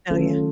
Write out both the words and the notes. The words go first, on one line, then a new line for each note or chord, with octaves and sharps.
Oh, yeah.
D#3 F#3 A3 C#4 F4 A4